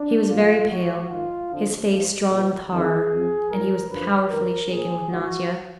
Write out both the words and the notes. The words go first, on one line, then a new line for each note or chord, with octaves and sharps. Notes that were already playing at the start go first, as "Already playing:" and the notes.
He was very pale, his face drawn with horror; and he was powerfully shaken with nausea.
Already playing: D4
A#2 F3 F4
G#2 F3 F#4
G#2 D#3 F4
F2 D3 F3
G#2 F3
A#2 F3
F2 D#3 G#4
F2 F3
G#2 F3 A#4
F#2 D3 F3 B4
F#2 D#3 A#4
A#2 F3 G#4
G#2 D#3 F#4